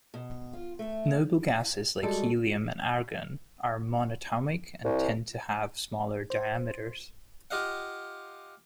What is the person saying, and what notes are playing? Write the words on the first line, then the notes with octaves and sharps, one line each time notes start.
Noble gases like helium and argon are monatomic and tend to have smaller diameters.
B2
F4
A3
G3 G#3 F#4 A4
C2
C5
F4 G4 D#5 F5 F#5